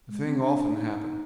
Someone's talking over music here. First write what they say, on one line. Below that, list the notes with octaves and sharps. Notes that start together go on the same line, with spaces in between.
The thing often happened.
G#3
C4
D4
D#4
D#4